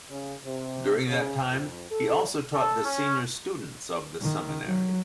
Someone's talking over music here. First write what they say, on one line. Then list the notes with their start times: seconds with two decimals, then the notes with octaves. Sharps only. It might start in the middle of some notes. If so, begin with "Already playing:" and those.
During that time he also taught the senior students of the Seminary.
0.10 C#3
0.44 C3
1.08 C#3
1.50 F2
1.91 A4
2.54 A4
2.85 C#4
4.22 D#3
4.65 F#3